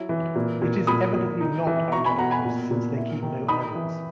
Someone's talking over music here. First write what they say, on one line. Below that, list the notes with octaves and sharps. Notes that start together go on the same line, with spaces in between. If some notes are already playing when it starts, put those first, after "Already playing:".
It is evidently not idolatrous, since they keep no idols.
Already playing: F#3 E4
E3
A#2
A#2
A#2 B5 D#6
A#2
D#4
E3
B2 A#5 C#6
G#5 B5
B2 F#5 A#5
G#5 B5
A#2
A#2
E4
D#3
D#4 B5 D#6
E3